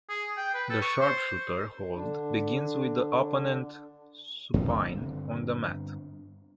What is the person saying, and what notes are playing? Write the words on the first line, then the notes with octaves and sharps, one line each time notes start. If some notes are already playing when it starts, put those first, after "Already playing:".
The Sharpshooter hold begins with the opponent supine on the mat.
G#4
G5
B4
A4
C#6
C5
D3 D4
G2 D3 C4